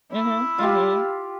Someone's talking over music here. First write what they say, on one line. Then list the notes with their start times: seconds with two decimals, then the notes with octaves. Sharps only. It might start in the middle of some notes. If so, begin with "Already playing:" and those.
Mhm, mhm.
0.12 E4
0.58 F4 G4